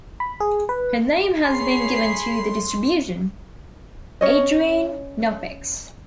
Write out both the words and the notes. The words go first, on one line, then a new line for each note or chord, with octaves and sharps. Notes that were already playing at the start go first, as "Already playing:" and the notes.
Her name has been given to the distribution: Adriane Knoppix.
B5
G#4
B4
G#4 C#5 B5 C6 C7
C#4 C#5 D#5